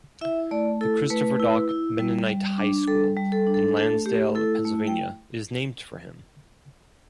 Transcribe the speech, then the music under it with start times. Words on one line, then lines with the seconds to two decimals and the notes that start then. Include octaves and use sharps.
The Christopher Dock Mennonite High School, in Lansdale, Pennsylvania, is named for him.
0.21 E4 E5
0.51 A3 D5
0.81 E4 A4
1.10 A3 B4
1.40 E4
1.69 E4
1.99 G3
2.29 G3
2.58 D4
2.87 G3 A4
3.17 G3
3.32 A4
3.47 D4
3.54 A4
3.77 A3 A4
4.06 A3 G4
4.35 E4 A4
4.65 A3
4.87 G5